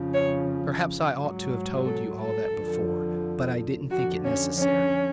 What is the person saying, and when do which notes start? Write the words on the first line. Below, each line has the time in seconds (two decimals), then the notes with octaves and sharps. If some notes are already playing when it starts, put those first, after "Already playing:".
Perhaps I ought to have told you all that before, but--I didn't think it necessary.
Already playing: F2 C#3 F3
0.14 C#5
1.16 G#2 F#3
1.85 A4
2.19 A4
2.53 F2 D3 F3
3.90 F2 D3 F3 F#4
4.24 C#4
4.59 C#4